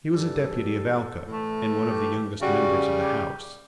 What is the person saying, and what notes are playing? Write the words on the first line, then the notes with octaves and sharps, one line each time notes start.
He was a Deputy of Alca, and one of the youngest members of the House.
G2 E3 G3 A4
A2 E3 A3
G4
C#3 G3 F#4
G4